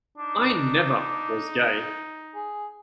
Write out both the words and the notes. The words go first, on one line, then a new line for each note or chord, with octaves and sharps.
I never was gay.
D4 D#4
G#4